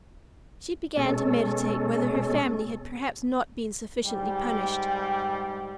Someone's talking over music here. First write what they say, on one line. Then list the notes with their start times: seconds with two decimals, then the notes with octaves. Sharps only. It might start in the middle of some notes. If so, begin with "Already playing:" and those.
She began to meditate whether her family had perhaps not been sufficiently punished.
0.97 B2 G#3 C#4 A4
4.05 G#2 G3 G5